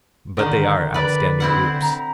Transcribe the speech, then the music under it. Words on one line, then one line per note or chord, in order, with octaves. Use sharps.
But they are outstanding groups.
D3 D#3
D3 B4 D5
C4 E4 F#5
A#5